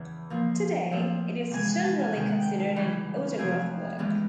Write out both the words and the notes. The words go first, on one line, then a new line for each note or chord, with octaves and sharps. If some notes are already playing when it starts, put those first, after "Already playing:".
Today it is generally considered an autograph work.
Already playing: E2 C#3 E3
A#2 F3 A#3
A#2 F3 A3 C4
C3 E3 G#3 B3 G#5
G#5
A5
G#5
C3 D#3 G#3 G5
F#5
G5
C#3 E3 G3
F2 C3 F3 A3 C4 G#5
G2 E3 G#3 B3